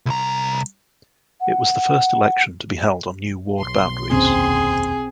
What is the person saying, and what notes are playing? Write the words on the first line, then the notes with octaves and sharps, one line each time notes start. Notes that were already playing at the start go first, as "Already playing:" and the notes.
It was the first election to be held on new ward boundaries.
C2 A#5
F#5
B1 C6
F1 D#2 C4 C#4 G#4